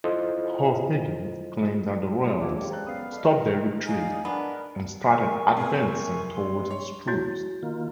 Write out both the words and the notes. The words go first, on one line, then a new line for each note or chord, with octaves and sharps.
O'Higgins claimed that the royalists stopped their retreat and started advancing towards his troops.
E4 F4 A4 C5 D#5
A#1 D4 F4 A4 C#5 F5 D6 G#6
G#3 G4 G#4 D6
A4 C5 D5 G5 A#5 F#6
F#1 B3 F5 B5 D#6 C7
A4 D5 D#5 B5
A#4
D#4 G#4 D5 F5 G#5
B3 D4 A#4
A#4 G#5 C#6
C3 B3 G#4
C6
C#5
E4 F#4 C#5
D#3 A#3 F4